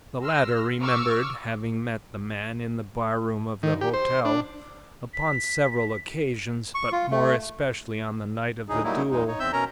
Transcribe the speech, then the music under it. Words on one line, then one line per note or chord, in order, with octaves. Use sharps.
The latter remembered having met the man in the bar-room of the hotel; upon several occasions, but more especially on the night of the duel.
C6 E6 F6 A#6
C#6 D6 E6 F6
D#3
G4
C5
D4
B6
C#6
F4
A3
D2 A2 D#4 G#4
F#3 G3 A3 A#3 D#4 E4
E2 A2 G#3 D#4
D#4 C#5
E2 C4 E5 E6 G6
B2 C#4 A#4 C#5 A#5